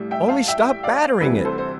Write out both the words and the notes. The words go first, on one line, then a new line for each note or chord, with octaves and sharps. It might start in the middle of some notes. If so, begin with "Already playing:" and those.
"Only stop battering it!"
Already playing: A1 A2 G3
E5 G5
F5 A5
E5 G5
D5 F5
D2 C3 E3 G3 B4
A4 C5
C5